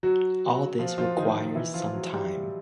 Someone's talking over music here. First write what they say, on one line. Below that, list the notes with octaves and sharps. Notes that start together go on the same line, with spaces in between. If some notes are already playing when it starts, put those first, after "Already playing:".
All this requires some time.
F#3 F#4
F3 F4
F3 F4
D#3 D#4
E3 E4
F3 F4
F4
F#3 F#4
G3 G4